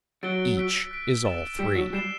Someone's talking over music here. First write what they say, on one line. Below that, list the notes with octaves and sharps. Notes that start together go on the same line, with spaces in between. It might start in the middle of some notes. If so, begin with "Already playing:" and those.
Each is all three.
F#3 F#4 F#6 A6 D7 G7
E6 B6 D7
F#6 B6 D7
E6 A6 E7
G3 G4 E6 B6 E7
F#3 F#4
G3 G4 F#6 C7 E7 G7